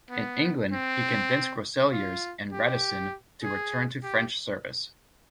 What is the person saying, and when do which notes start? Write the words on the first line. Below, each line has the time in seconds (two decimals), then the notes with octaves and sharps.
In England he convinced Groseilliers and Radisson to return to French service.
0.11 B3
0.71 C4
1.92 F4
2.52 G4
3.43 G#4
4.03 G4